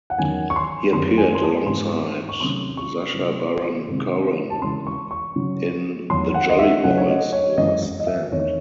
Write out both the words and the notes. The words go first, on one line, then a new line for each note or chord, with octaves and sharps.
He appeared alongside Sacha Baron Cohen in "The Jolly Boys' Last Stand".
F#5
E2 D#3 F#3 C#4 G#5
C#6
C6
F#2 D#3 F#3 C4 C6
G#5
C6
A5
G#2 E3 G#3 C4 C6
C#6
C3 D#3 F#3 A3 C#4 C6
C#6
C3 F#3 C4
C3 D#3 G#3 C4
A5
C#3 E3 G#3 C6
C#6
C#6
C#3 F#3 C#4
E2 D#3 F#3 C6
F#5
D#5
E5
C#3 F#3 C#4 F#5
C#5
D#5
C#5
F#2 E3 G#3 C#4 D#5
D#5
D#5
E5
E2 D#3 A3 C4 C#5